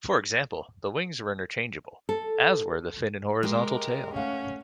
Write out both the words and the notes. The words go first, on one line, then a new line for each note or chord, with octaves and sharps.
For example the wings were interchangeable as were the fin and horizontal tail.
A4
G#3 G4 A#4
A3 C#4 F5 F#5